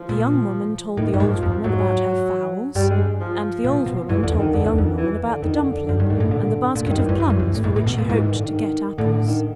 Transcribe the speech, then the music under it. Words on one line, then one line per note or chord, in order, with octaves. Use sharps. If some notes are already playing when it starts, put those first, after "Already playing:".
The young woman told the old woman about her fowls and the old woman told the young woman about the dumpling and the basket of plums for which she hoped to get apples.
Already playing: F3
A#2
A2 D#3
G2 D#3
G#2
F3
F2 F3
G#2 F#3
G2 G3
G#3
F3
A#2
B2
G2 E3
E2 D3
F2
D#3
F2 D3
E2
F2 D#3
E3
D3
F2 D#3
D3
D3
F#2 D3
G2 D#3
G#2
A2 D3
A#2 D3
A#2 D3
G2
D#3
F#2
G2 E3
F#2
G2
F#2
A2
G#2
A2
B2
A#2
G#2 E3
D#3
D3
D#3
A2 D3
D3
D#3